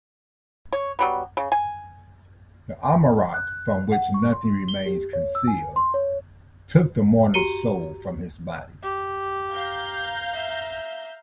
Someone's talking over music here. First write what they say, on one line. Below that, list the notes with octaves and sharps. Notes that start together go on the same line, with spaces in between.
The amarok, "from which nothing remains concealed", took the mourner's soul from his body.
C#5
F#3 G3 B3
C#3
G#5
F#6
F#5
C#6
C6
G7
G4
C#5
E6
G#5
C6
C#5
F#4 G4 A#5 C#7 D#7 G7
G4
F5 A#5 G6
E5